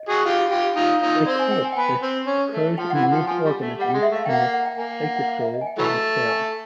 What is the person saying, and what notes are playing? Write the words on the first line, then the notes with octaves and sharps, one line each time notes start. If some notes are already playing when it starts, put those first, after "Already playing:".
Glycolysis occurs in most organisms in the cytosol of the cell.
Already playing: D#5
F#4 G#4
F4 G4
F4 G4
D#4 F4
D#4 F4 C#5
C4 D5
G#5
G5
G#5
G5
B3 G#5
C4
C#4
A3
F3 G5
F#5
E3
F#5
F3 G5
F3 G#5
G3
A3
G3 F#5
G5
G#3
E5
A3 F5
A#3 G5
F#5
F5
F#5
G5
A#3 G#5
G5
F#5
F#5
F5
E5
D#5
G#5
G5
E3 F#3 A3
G#5